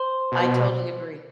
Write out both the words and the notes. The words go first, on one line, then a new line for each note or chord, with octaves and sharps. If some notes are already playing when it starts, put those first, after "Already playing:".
I totally agree.
Already playing: C5
B2